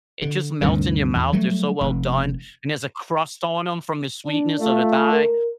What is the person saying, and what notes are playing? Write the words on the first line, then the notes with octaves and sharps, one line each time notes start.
it just melts in your mouth, they're so well done, and there's a crust on 'em from the sweetness of the thigh.
D3
D2 G2 C3 D#3
E2
F#3 G3 A3
F1
D4
A3 F4
A#4